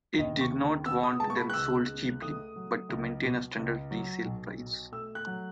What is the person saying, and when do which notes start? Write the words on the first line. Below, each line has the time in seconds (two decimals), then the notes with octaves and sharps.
It did not want them sold cheaply but to maintain a standard resale price.
0.18 D#2 D#5
0.41 C#6
0.52 C#3
0.85 B3 E6
1.03 D#6
1.20 G#3 A5
1.30 C#6
1.37 B5
1.50 F#6
1.54 C#2 E6
1.88 C#3
2.22 A3 D#6
2.56 F#3
2.89 C#2
3.23 B2
3.57 C#2
3.91 F#3
4.25 B1
4.59 B2
4.92 A3 E6
5.15 F#6
5.26 F#3